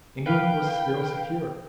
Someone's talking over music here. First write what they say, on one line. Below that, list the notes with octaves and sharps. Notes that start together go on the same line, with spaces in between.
England was still secure.
E3 A#4 B4 F5 G5